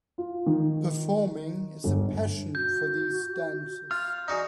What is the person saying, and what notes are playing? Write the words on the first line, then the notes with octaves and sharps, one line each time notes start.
Performing is a passion for these dancers.
F4
D#3
G1
F#4 G6
F4 F6
D#4 F#4 G#4 D5